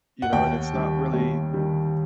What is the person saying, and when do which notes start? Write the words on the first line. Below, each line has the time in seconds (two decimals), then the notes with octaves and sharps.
You know, and it's not really
0.22 F#5
0.33 D#2 G5
0.73 D#3 G3
1.13 D#2
1.53 D#3 G3